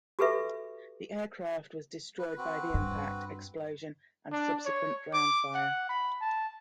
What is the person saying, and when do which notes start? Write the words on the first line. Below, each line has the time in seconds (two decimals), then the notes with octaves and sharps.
The aircraft was destroyed by the impact, explosion, and subsequent ground fire.
0.19 F#4 G4 A4 B4 E5
2.19 B4
2.37 C4 F#4 B4
2.74 G2
4.32 D4
4.66 C#5
5.14 D6
5.55 F#5
5.89 B5
6.21 A5